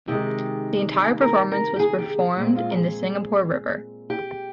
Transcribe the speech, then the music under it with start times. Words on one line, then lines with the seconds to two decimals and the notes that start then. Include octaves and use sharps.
The entire performance was performed in the Singapore River.
0.08 C3 D#3 G#3 G4
1.22 A#4
1.52 A#4
1.76 G4
1.80 G#4
1.99 G4
2.18 G#4
2.37 A#2 G#3 C4 G4
2.56 F4
2.71 A#4
2.75 G#4
4.10 G4